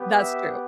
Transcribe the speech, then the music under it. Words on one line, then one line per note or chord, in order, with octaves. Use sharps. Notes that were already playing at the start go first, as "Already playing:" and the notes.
That's true.
Already playing: B3 G4
E5